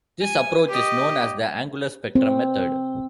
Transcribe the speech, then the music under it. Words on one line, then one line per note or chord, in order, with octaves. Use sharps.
This approach is known as the Angular spectrum method.
G#5
G4 D#5
C4